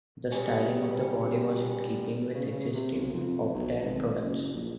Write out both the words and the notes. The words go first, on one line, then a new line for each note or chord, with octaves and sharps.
The styling of the body was in keeping with existing Optare products.
C#3 G3 C#4
C#3
C#3
C3
B1
F2
B1
G#1
F#1
A#1